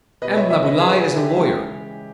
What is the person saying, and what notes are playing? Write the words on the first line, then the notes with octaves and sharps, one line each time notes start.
M. Laboulaye is a lawyer.
B2 G3 B4 D#5
C#5 E5
C#5 E5
B4 D#5
G#4 B4
E4
G4
C#3 E3 G#3 G4